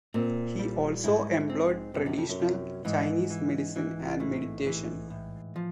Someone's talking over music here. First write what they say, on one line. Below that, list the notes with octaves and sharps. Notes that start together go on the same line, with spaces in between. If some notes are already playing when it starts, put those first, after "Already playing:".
He also employed traditional Chinese medicine and meditation.
A#2 C4
G3
G#2 E4
C4
G2 C3
F#2
F2
F#2
C3
G#2 E3
E3
E3
A2
E3
A2
F3